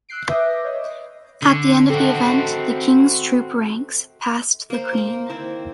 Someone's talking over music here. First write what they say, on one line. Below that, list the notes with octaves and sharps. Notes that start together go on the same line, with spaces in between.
At the end of the event, the King's Troop ranks past the Queen.
E6 F#6 G6 C7 D7
B4 E5 D6 D#6 G6 A#6
C#5 D#5
D3
C4 F#4 A4
A#3 C5
A#3 A#4
D#3 C4 E4